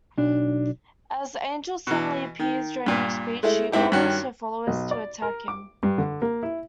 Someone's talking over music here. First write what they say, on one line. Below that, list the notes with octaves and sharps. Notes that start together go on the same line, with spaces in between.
As Angel suddenly appears during her speech she orders her followers to attack him.
B1 D4
B2 E3
D#3
G2 A#2
G#3 A3 E4
G#2 C4 E4 G4
G2 D#3 C#4 F#4
B1
D5
A#4
D6
G2
D3
A#3
E4